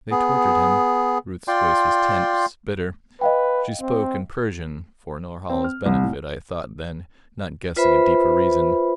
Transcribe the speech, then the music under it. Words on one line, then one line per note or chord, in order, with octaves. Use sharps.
"They tortured him," Ruth's voice was tense, bitter; she spoke in Persian--for Norhala's benefit I thought then, not guessing a deeper reason.
B3 G#4
F4 D5 G5 C6
B4 D#5 F5 G5
C4
C4
F6
C2
A2
F4 B4 C5 E5 B5